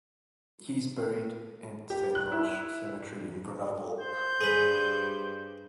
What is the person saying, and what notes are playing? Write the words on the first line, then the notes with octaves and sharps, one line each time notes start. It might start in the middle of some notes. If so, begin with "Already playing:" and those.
He is buried at Saint Roch Cemetery in Grenoble.
G4
F#6
E4
C5 G6
G2 G3 G#4 B4